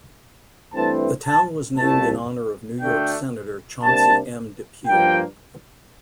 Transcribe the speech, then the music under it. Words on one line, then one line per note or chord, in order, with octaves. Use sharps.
The town was named in honor of New York Senator Chauncy M Depew.
G2 E3 A3 C4 A5
A5
C2 A#2 A3 A5
D2 D3 A3 D4 G5
C3 G3 A#3 D4 A5
G2 F3 A#3 G5